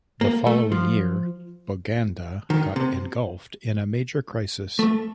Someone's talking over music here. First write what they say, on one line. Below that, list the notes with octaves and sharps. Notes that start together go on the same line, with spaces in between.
The following year Buganda got engulfed in a major crisis.
A#3
A3
F3
D#3
C3
A3